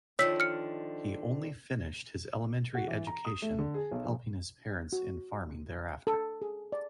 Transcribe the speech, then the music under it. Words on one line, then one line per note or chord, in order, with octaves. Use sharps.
He only finished his elementary education helping his parents in farming thereafter.
D3 D#3 F3 C#5 E6 B6
F6 C#7
F#4
E3
A#5
D#6
A3
D3
G#4
B1
A#1
F#4
A4
G#4
D5